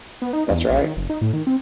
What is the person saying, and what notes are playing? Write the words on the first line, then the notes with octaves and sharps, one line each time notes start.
That's right.
B3
D#4
E2
A#1
D#3
F#1
D#4
A2
D#3
C4